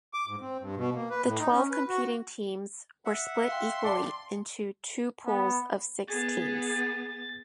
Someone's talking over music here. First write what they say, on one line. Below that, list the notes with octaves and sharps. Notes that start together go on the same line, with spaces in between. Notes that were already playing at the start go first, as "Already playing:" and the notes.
The twelve competing teams were split equally into two pools of six teams.
D6
G#2
C4
G2
B2
A#3
B4
A2
D#4
C#4
B4
F#4
E5 F#5
F5 G5 C6
D5 A5
B3
B3 G#4 A6